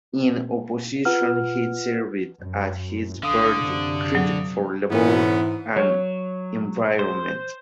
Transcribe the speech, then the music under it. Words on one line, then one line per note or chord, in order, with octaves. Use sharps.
In opposition, he served as his party's critic for Labour and Environment.
F4 B4 F#5 F6
F#2
B1 D3 F5 D#6
F#2 C3
F#3
G#2 E3 A3 B3 C#4
F#3 C#5
C5